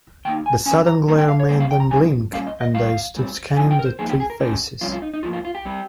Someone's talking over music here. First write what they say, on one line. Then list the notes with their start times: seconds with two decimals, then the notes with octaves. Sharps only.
The sudden glare made them blink, and I stood scanning the three faces.
0.25 D#3 A#3 D#4 G5
0.46 G#5
0.66 F2 D#3 C#4 G#5
0.86 A#5
1.08 D#3 G3 A#3 C#4 A#5
1.18 G5
1.28 F5
1.40 C#5
1.49 G#2 G3 A#3 C5
1.60 F5
1.71 G5
1.80 A#5
1.91 C3 G3 C4 D#4 G#5
2.32 A#2 G3 C#4 F5
2.47 D#5
2.61 D#5
2.74 A#2 G3 F5
3.16 G#2 G3 C4
3.57 G#2 F3 C4 D#4 G#5
3.71 G5
3.79 A#4
3.85 C5
3.99 G#2 F3 A#3 D#4 G#4
4.09 G4
4.20 G#4
4.30 A#4
4.40 C#3 G#3 C#4 G4
4.81 F2 C3 G3 C#4 F4
4.92 F4
5.02 D#4
5.14 D#4
5.23 G#2 F3 A#3 F4
5.33 F4
5.45 F4
5.55 G4
5.65 G3 C4